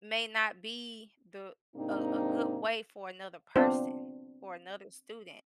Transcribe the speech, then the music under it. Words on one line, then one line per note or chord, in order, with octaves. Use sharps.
may not be the a a good way for another person or another student,
G#2 C3 A#3 C4 D4 D#4
B3 C4 D4 F4 C5